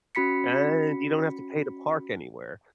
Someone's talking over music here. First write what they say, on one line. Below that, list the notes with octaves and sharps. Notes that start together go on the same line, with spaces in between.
and you don't have to pay to park anywhere,
C#4 F#4 B5 B6 C#7